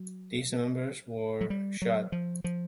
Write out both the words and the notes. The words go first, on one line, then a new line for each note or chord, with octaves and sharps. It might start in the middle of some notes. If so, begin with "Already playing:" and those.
These members were shot.
Already playing: F#3
F#3
G3
F#3
F3
F3